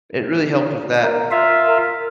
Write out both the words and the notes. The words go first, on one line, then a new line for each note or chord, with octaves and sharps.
it really helped with that.
A#4
F4 E5 F5
A#4